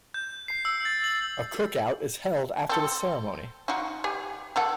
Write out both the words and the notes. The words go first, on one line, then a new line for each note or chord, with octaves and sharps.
A cookout is held after the ceremony.
G6
C7
E6
A6
F#7
C4 A4
D#4 F4 F#4
G4 G#5
D#3 A4 F#5